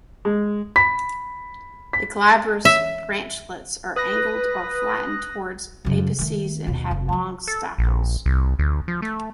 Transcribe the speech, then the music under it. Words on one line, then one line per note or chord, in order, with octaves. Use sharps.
The glabrous branchlets are angled or flattened towards apices and have long stipules.
G#3
B5 B6
B6
E5
B4 D#6 F#6 A#6
F#2 C#3
D#3 A3
D#2 B2
F1
F3 F#3
A4
A#1
C2
D2
F3
A3